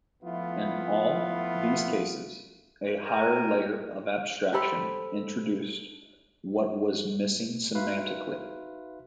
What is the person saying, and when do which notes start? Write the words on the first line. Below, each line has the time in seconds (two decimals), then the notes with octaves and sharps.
In all these cases, a higher layer of abstraction introduced what was missing semantically.
0.23 F3 A3 B3 E4 F4
3.05 A#4 C5 D#5 G5 G#5 A#5
4.53 G4 A4 C5 B5
7.74 D#4 F#4 B4 E5 F5 C6